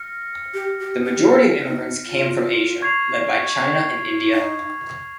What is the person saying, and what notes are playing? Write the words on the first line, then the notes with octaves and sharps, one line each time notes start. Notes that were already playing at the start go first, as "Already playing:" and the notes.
The majority of immigrants came from Asia, led by China and India.
Already playing: F6 A#6 C#7
G4
G4
G4
F4
D#4
F4
C#6 G#6 C7 F7
D#4